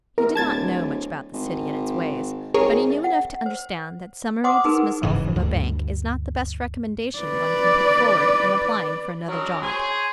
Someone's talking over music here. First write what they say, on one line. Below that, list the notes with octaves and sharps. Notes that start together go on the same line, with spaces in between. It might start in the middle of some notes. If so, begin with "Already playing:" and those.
He did not know much about the City and its ways, but he knew enough to understand that summary dismissal from a bank is not the best recommendation one can put forward in applying for another job.
E2 A#4
D1 A5 G#6 A6
G#1
G#1 G#4 A#4 C#5
E5
F#5
C5
C5 F#5 C6 D6 D#6
D#4 G#4 A#4 B4
E1 G#2 C#3 E3
D2 G2
B4 D5
C#3 F#3 G#3 D4 A#4
G#4 C5 C#5 G#5